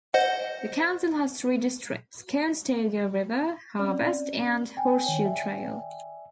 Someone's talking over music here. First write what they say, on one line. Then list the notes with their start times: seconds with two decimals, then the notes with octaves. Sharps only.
The council has three districts: Conestoga River, Harvest, and Horse-Shoe Trail.
0.14 C5 D#5 F#5
3.79 C4 C#4 D5
4.77 G5 G#5
5.06 D#3 C#5
5.25 D5 E5